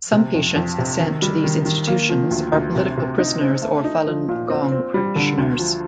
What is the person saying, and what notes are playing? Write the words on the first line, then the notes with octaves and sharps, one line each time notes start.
Some patients sent to these institutions are political prisoners or Falun Gong practitioners.
C3
F2
F2
C3
D#3
G3
D#3
D#3
A#3
F3
D2
D2
C3
C3
D#4
C4
A3
D#4
F3
A#2
C4
C4
G3
D3
D2
F3